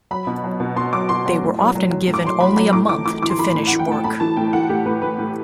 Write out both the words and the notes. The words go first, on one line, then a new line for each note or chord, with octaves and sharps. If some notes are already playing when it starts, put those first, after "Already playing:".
They were often given only a month to finish work.
F#3 B5
B2
F#3
B2
B2 C6
F#3 D6
B2 C6
F#3
A2
F#3
F#3
F#3
A2
D6
F#3 C6
F#3 B5
F#3
A2 D6
E3 D6
E3 D6
E3 D6
C6
E3 B5
A2
E3 F#5
G5
A2 A5
A2 B5
E3 A5
A2 G5
E3 F#5
A2 G4
A2 B4
E3 B4
A2